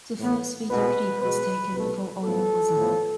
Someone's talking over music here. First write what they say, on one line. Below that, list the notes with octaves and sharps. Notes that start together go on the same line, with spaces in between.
The first video clip was taken for "Oyunbozan".
A2 E3 B3
C2 B2 G#3 B3 B4
B2 G#3 B3 B4
C2 B2 A3
A2 F3 B3 A4
A2 F3 B3